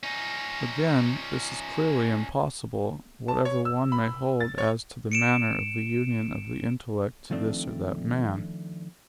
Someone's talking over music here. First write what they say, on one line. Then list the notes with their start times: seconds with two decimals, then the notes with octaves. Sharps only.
Again, this is clearly impossible, whatever one may hold as to the manner of the union of the intellect to this or that man.
0.03 C#4 D#4
3.28 A5
3.45 C#5
3.65 E6
3.92 B5
4.40 A6
4.58 C#5
5.12 C#7 D7 E7
7.31 D#3 F3 A3 C4 D4